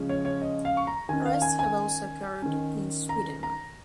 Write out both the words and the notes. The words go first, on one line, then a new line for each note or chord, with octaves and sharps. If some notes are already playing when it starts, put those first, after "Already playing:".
Arrests have also occurred in Sweden.
Already playing: C#3 F3 G#3 C#4
C#5
C#5
D#5
F5
C#6
A#5
D#3 C#4 G#5
F5
G#5
G#5
D#3 C#4
A#5
A#5